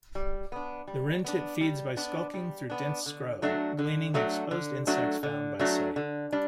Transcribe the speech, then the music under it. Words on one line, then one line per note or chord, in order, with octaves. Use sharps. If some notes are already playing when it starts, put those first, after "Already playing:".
The wrentit feeds by skulking through dense scrub gleaning exposed insects found by sight.
G3
B3 D4
G3
B3 D4
G3
B3 D4
G3
B3 D4
D3
F#3 A3 D4 F#4
D3
F#3 A3 D4 F#4
D3
F#3 A3 D4 F#4
D3
F#3 A3 D4 F#4
D3
G3 D4